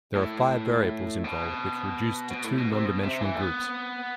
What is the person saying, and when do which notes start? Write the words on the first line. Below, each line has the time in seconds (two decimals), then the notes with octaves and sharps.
There are five variables involved which reduce to two non-dimensional groups.
0.15 A2
1.24 B2
2.31 B2
2.44 A2
2.58 B2
2.72 C3
2.85 B2
3.03 C3
3.21 E3
3.34 A3
3.39 B3